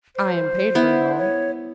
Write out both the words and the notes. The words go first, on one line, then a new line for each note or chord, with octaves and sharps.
"I am paid for it all."
C5
B3 E4
C#5